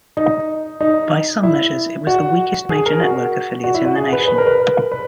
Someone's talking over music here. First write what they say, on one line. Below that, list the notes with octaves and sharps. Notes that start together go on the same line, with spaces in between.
By some measures, it was the weakest major-network affiliate in the nation.
D#4
D#4
E4
F#4
G#4
A#4
F#4
F#4
E4
F#4
G#4
B4
B4
A#4
B4
B4